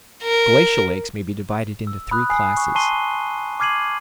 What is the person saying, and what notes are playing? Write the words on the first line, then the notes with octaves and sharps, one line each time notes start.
Glacial lakes may be divided into three classes.
A#4
E6
B5 D#6 F#6
G#5 D#6 C7
C#6
A5 C6 C#6 C7 D#7 G7
D6 F6 G#6 C7 D#7 F#7